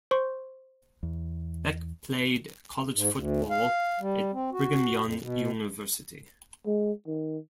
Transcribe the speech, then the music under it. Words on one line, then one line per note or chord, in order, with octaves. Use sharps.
Beck played college football at Brigham Young University.
C5 C6 C#6
E2
G#2
D2
F5
G3
C4
F#4
F2
B2
G#3
D#3